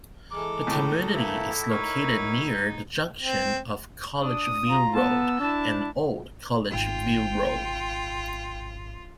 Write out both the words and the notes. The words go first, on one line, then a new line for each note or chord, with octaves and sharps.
The community is located near the junction of Collegeville Road and Old Collegeville Road.
E3 G#3 A4 A#5 D6
C#2 A2
E3 A3 A#3 E4
D#4 A#4 C#5
C4
D4 D#6
F4 A#5
B3 A5 E6
D4 E4 A5
G#1 F4 G5